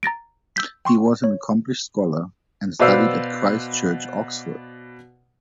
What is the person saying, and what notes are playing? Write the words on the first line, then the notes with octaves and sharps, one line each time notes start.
He was an accomplished scholar, and studied at Christ Church, Oxford.
A#5 A6 A#6 D7
E6 G6 B6
G5 C6 C#6
C#5
B2 B4 C5 D5 F5 E6